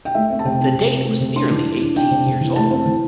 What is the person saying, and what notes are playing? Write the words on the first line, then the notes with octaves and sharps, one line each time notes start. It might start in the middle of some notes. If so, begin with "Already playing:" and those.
The date was nearly eighteen years old.
G5
A3 E5
C4
A5
C3 G5
C4
C3
C4
A3
C3
D4 C6
E3
E3
D4
D4 G5
C3
C3
E3
A3 A5
C4
E3